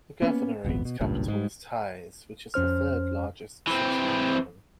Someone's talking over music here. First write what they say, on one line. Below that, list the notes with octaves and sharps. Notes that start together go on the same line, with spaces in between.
The governorate's capital is Taiz, which is the third largest city in Yemen.
A#3 B3 C#4
D#1 G#1 F2 B3
B2
G#1 C#2 G2 A#2
G#2 G3
F2 C#4 C5 F6
E3 C4